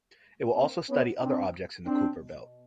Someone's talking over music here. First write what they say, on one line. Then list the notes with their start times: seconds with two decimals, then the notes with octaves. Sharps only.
It will also study other objects in the Kuiper belt.
0.56 A#3 C4
0.89 B3 C#4
1.21 C4 D4
1.85 B2 C4 D4